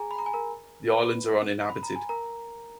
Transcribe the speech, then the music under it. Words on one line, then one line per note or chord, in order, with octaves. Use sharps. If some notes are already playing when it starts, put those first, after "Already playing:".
The islands are uninhabited.
Already playing: G#4 G#5 A#5
B5
A#5
G#5
A#4 A#5
B4 B5
B5
A#5
G#5
A#4 A#5